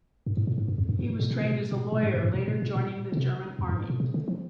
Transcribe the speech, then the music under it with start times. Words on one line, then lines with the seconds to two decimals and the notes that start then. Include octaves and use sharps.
He was trained as a lawyer, later joining the German Army.
0.26 G2
0.37 G#2
0.47 A#2
0.58 G#2
0.68 G2
0.78 F2
0.89 G2
0.99 G#2
1.10 G#2
1.20 A#2
1.30 A#2
1.41 C3
1.51 A#2
1.72 A#2
1.92 A#2
2.03 G#2
2.14 G#2
2.24 G2
2.34 A#2
2.48 A#2
2.62 A#2
2.76 A#2
3.12 D3
3.17 C3
3.59 F2
3.69 G2
3.90 A#2
4.00 C3
4.14 D3
4.28 F3